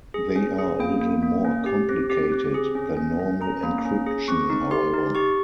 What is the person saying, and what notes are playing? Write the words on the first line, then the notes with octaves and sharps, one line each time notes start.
They are a little more complicated than normal encryption however.
G#4
C#4
G#4
A#3 G5
A#3
A#3
C#4
G4
C4
G4
C4
G#4
C#4
C#4
C#4
C#4 A#5
A#3
C#4
G#4
C4 C#6
D#4
G4 C6
D#4
G4 C#6